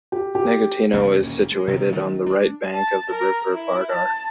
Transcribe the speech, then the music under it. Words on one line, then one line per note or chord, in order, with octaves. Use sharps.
Negotino is situated on the right bank of the river Vardar.
G4
G4
F2 C3 F3 A#3
E1 D#2 A#3 C#4
G#3
C3 D#3
D#3 F#3 A3
D4
A5
A#4
E4
A5